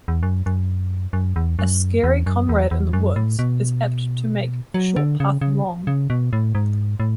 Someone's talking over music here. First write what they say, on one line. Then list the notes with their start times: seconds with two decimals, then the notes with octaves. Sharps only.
A scary comrade in the woods is apt to make a short path long.
0.08 E2
0.23 F#2
0.46 F#2
1.13 F#2
1.36 E2
1.59 F#2
2.04 E2
2.26 F#2
2.49 E2
2.71 E2
2.93 F#2
3.16 A2
3.39 B2
4.74 F#3
4.96 D3
5.20 C#3
5.41 C#3
5.87 C#3
6.10 B2
6.33 A2
6.55 G#2
7.00 A2